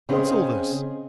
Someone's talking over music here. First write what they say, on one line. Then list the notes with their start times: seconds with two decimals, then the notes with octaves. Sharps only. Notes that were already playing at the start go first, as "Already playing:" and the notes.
What's all this?'
0.09 C#3 C4 C#4 G#4 D5 D#5